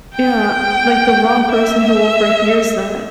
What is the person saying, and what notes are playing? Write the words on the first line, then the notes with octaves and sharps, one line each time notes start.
Yeah, like the wrong person who overhears that.
G5
E5